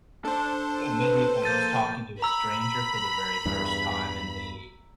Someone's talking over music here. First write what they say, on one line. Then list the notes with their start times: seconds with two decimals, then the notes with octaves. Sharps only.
you know, maybe if I'm just talking to a stranger for the very first time and they,
0.25 D4 A4 C5 A5
0.99 B4
1.44 F3 A#3 G6 A6 D#7
2.22 A#5 B5 E6
3.45 E2 G2 E3